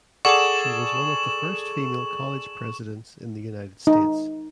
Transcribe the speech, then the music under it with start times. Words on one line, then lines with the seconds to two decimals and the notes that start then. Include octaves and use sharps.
She was one of the first female college presidents in the United States.
0.25 G#4 A4 D5 F#5 C#6 D6 E7 F#7
3.87 D#4